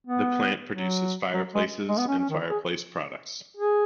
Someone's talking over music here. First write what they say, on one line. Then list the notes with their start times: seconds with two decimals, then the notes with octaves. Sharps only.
The plant produces fireplaces and fireplace products.
0.07 B3
0.70 F#3
1.33 F#3
1.54 G#3
1.88 G#3
1.97 B3
2.08 C#4
2.18 C#4
2.30 D#3
2.50 G#4
3.57 G#4